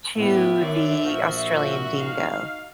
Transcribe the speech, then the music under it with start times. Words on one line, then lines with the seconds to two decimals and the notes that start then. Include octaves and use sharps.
to the Australian Dingo.
0.16 A2 B3 G4 E5
0.60 F#2 D#3 D5
1.03 A#1 F3 F#4
1.98 D#4 F5